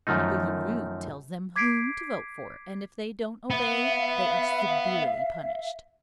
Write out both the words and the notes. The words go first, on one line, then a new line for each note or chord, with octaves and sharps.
The Boolooroo tells them whom to vote for, and if they don't obey they are severely punished.
F#2 D#3 F3 A3 D#4
D6 G#6 B6 C7 D7
B3 E5 F5